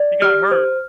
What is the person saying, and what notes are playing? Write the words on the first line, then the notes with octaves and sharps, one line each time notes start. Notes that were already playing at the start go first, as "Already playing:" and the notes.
he got hurt
Already playing: D5
G4 F6
C5